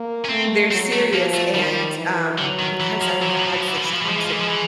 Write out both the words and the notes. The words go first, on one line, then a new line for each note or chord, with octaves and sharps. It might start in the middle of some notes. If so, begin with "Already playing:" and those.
they're serious, and, um, because I've had such toxic
Already playing: A#3
C#4
A3 C4
F#3 C4
A3
F3 A#3
A3
D#3 G3
E3
D3 F#3
D#3
E3
F3
E3
F3
E3
F3
E3
F3
E3
F3
E3
F3
E3
F3 G#3
E3
F3
E3
F3
E3